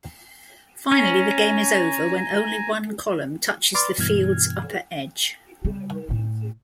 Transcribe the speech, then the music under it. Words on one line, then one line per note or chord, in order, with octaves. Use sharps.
Finally, the game is over when only one column touches the field's upper edge.
C#4 G#5 A#5
B4 D5 C6 D6 F6 A6
G2 B2 E3 F6 G#6
C#3 G3
A2 A3